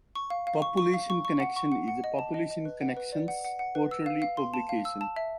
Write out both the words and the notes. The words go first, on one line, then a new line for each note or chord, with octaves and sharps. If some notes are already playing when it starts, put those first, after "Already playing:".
"Population Connection" is Population Connection's quarterly publication.
C#6
F5
F5
C#6
C#6
F5
C#6
C#6
F#5
C#6
F#5
F#5
D#5
A5
D#5
D#5
B4
F#5
B4
D5
F#5
F#5
F#5
B4
E6
F5
F5
C6
A5
F5
E6
A5
E5